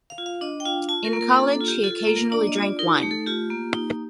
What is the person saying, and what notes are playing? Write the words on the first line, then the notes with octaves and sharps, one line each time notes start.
In college, he occasionally drank wine.
F5
F4
F5
D4 D#5
G5
F4 F5
F4 A5
A#4
A#3
A#4
D4 A4
A4
F4
G4
F4 A4
A4
A#3
A#4
D4 D5
D#5
F4
D5
D#4 A#4
G4
A3
A4
F4 G4
A#3
D#4